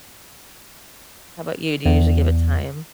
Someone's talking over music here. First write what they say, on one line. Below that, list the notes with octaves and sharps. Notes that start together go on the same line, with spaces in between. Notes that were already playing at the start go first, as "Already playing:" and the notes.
How 'bout you? Do you usually give it time?
E2